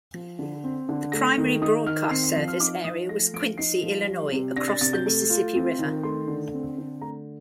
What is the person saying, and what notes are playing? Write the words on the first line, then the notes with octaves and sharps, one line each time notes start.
The primary broadcast service area was Quincy, Illinois, across the Mississippi River.
F3
D3
C4
D3
A3 A#6
D#3
D#4 D#6
D#3 F6
C4 C7
C7
F3 C7
F6
D#4 D6
F3 D#6
A3 A#6
F3 D7
D#4 C7
F3
G3
C3
D4 A#6
A6
C3 A6
G6
A3
F4
C4
D#3
A3 C6
D3
C4
D3
A3 A#5